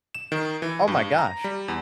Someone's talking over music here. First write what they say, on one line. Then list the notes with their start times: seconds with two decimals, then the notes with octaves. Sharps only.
Oh my gosh.
0.15 E7
0.32 D#3
0.62 E3
0.88 G2
1.19 A#5
1.44 G3
1.68 E2